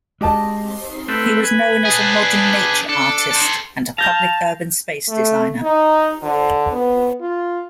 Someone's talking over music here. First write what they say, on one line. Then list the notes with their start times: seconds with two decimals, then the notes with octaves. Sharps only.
He was known as a modern nature artist and a public urban space designer.
0.21 G#3 G4 D#5 A5
1.08 A3 C4 B4
1.43 B4 G#5
1.85 D4 G#4
2.89 D4 A4
3.31 A4 C5
3.98 F5 A5 G6 A#6
5.09 A3
5.63 D#4
6.23 D3
6.72 B3
7.21 F4